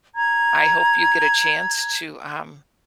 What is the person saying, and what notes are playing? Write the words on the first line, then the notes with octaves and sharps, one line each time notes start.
I hope you get a chance to um
A#5 G#6